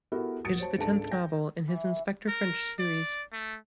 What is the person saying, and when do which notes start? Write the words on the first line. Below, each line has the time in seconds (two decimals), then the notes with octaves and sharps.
It is the tenth novel in his Inspector French series.
0.12 B3 E4 F#4 G4 A4 A#4
0.44 D#1 F#4 D#6 A6 C#7 D7
0.58 F#4 C5 C#5 A5
0.77 G#1 C#2 D4 A4 A5 D7
1.11 G5 G6 A#6
1.68 E3
2.28 A#4
2.79 D5
3.33 A3